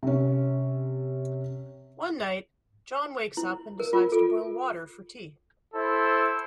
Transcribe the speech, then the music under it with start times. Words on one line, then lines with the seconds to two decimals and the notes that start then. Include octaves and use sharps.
One night, John wakes up and decides to boil water for tea.
0.03 C3 C#4
3.37 E4
3.80 A#4
3.93 F4
4.12 A4
5.74 E4 A4 C5